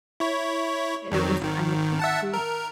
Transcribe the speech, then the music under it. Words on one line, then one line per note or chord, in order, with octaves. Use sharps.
it was kinda creepy.
E4 C#5
F2 D#3 F#3
G#1 D#3
E5 F#5 A5
A#4